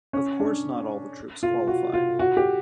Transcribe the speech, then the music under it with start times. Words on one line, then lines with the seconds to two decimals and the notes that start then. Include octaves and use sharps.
Of course not all the troops qualified.
0.13 C#4
0.40 D4
1.43 F4
1.67 F#4
1.93 F4
2.19 F#4
2.37 G4